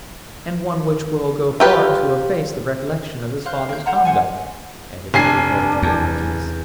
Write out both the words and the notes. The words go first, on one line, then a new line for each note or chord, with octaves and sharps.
"And one which will go far to efface the recollection of his father's conduct," added the incorrigible marquise.
F4 G4 B4
C5 F5 F#6
A#3 G6
C5 F#5 A#5
C5 F#5 G#5
F1 D4 G#5 C7
E2